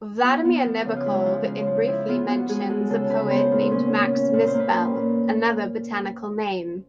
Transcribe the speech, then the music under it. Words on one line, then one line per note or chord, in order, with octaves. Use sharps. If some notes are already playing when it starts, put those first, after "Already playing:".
Vladimir Nabokov in briefly mentions a poet named Max Mispel, "another botanical name".
B3 F4
B3
F3
C#3
F4
G#3 E4
F3
C#3
F3
F3 E4
B3 F4
B3 F#4
G#3 G#4
G#3 A4
C#3 A4
C#3 B4
B3 C5
A#2
C#4
C#4
C#4
A#2 B4
C5
A#3
B4
C#4
A#2